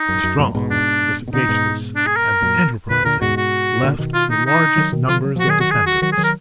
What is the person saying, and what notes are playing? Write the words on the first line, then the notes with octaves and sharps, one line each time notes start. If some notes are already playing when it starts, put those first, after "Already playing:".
The strong, the sagacious, and the enterprising left the largest numbers of descendants.
Already playing: D#4
F#2
F#2
F#2 A#2
G#2 B2
D4
B2
A#2 D3 D#4
G#2 B2
D4
G#4
A#4
F#2 A#2
A#2 D3 B4
A#2 D3 A#4
G#2 B2 F#4
F#4
A#2 D3
B2 D#3
F4
D#4
D#4
D#3 F#3
B2 D#3
D3 F3 F4
F#3
F3 F#4
D#3 F#3 G#4
F#4
G#4
F#4
D#3 F#3 F#4
G#4
D#3 F#3
A#4